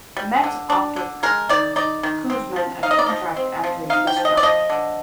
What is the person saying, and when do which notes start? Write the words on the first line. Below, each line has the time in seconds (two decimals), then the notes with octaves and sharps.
The Mets offered Koosman a contract after his discharge.
0.17 G3
0.44 D3
0.70 D4
0.96 D3
1.23 G#3 A#4
1.49 D#3 D5
1.76 D#4 D5
2.03 D#3
2.30 C4
2.56 F3
2.83 D#4 F5
2.91 D#5
2.99 D5
3.06 F3 D#5
3.37 C4
3.64 F3
3.90 D#4 F5
4.07 G5
4.17 F3
4.25 D#5
4.37 D5
4.43 F3 D#5
4.70 D3